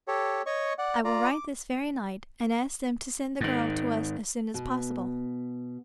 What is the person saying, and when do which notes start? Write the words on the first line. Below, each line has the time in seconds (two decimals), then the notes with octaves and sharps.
"I will write this very night and ask them to send the girl to us as soon as possible."
0.08 G4 A4 C#5
0.46 C#5 D#5 C#6
0.78 D5 F#5
1.05 F4 D5 A#5
1.31 D6
3.41 G#2 D#3
4.54 B2